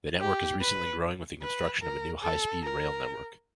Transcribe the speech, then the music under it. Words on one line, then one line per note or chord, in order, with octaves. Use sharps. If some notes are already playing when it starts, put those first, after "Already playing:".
The network is recently growing with the construction of the new high-speed rail network.
G4
B4
B4
A#4
A4
A#4